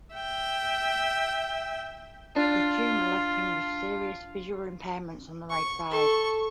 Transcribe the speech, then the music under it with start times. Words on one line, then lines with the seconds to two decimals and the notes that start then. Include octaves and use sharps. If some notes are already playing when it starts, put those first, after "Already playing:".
The tumor left him with serious visual impairments on the right side.
0.15 E5 G5
2.36 D4 F4
5.50 C#6
5.91 A4 C#6